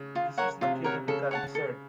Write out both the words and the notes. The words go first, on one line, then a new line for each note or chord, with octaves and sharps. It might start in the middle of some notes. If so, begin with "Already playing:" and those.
"This is not theoretical", he said.
Already playing: C#3
F4
A#4 C#5 F#5
C3 F4
A#4 C#5 F#5
C#3 A4
C#5 F#5 A5
A4